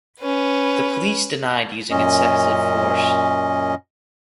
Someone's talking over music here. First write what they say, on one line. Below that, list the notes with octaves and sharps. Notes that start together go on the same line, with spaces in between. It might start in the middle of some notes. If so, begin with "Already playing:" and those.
The police denied using excessive force.
C#4 B4
F#2 A#2 C#4 D#5